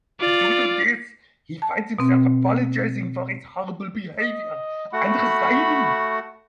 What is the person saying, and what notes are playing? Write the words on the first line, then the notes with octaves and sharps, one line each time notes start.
Due to this, he finds himself apologizing for his horrible behavior and resigning.
F4 D5
A5
B2 C4
D#5
A3 F#4 F#5 B5